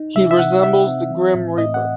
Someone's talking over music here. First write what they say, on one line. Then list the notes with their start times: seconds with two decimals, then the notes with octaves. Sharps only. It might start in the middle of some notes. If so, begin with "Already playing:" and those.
He resembles the Grim Reaper.
Already playing: D#4
0.15 C3 E5
0.31 E5
0.39 C3 F#5
0.63 C3 E5
0.87 C4
1.10 E3
1.35 A2
1.58 A2 D#5
1.74 F#5